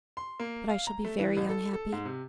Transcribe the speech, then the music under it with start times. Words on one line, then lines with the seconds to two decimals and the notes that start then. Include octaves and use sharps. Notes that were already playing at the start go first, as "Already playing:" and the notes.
But I shall be very unhappy.
0.17 C6
0.40 A#3
0.70 F5
0.87 A#5
1.05 A3
1.19 E3
1.37 A1
1.49 A4
1.73 A4
1.93 G#2
2.05 C3